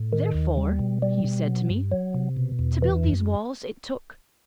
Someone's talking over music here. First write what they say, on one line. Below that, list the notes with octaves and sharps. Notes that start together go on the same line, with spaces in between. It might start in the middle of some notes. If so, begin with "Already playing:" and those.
"Therefore," he said to me, "to build these walls, it took . . . ?"
Already playing: A2
D#3
D#2
G3
B2
G3
B2
F#3
G2
F#3
C3
B2
E2
E3
F#2